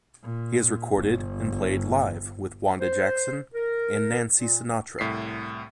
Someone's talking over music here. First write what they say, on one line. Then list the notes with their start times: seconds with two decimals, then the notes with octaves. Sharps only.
He has recorded and played live with Wanda Jackson and Nancy Sinatra.
0.23 A#2
0.94 G1
2.80 C5
3.54 A#4
4.34 A#2
4.99 C2 A2 B6 C7